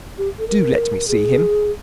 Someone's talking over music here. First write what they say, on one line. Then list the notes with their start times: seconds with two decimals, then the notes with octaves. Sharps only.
Do let me see him.
0.18 G4
0.39 A4
0.48 A#4
1.08 G#4